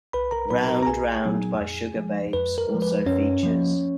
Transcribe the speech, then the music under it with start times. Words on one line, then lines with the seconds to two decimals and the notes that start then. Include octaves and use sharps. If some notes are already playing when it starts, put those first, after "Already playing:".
Round Round by Sugababes also features.
0.13 B1 B4 B5
0.31 A#4 A#5
0.50 A#2 F#3 B3 D#4 B4 B5
0.68 A#4 A#5
0.83 A#5
0.86 B1 G#4 G#5
1.24 A#2 F#3 B3 D#4
1.61 F2
1.96 F3 G#3
2.33 F2 B4
2.58 A#4
2.69 G#3
2.74 F3
2.82 B4
3.06 F#2 C#4 C#5
3.43 F3 A#3